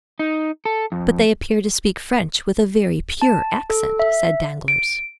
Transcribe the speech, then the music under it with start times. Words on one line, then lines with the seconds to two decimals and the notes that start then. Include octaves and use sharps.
"But they appear to speak French with a very pure accent," said Danglars.
0.19 D#4
0.65 A4
0.92 F2
3.22 A5
3.70 A4
3.99 E5
4.68 D7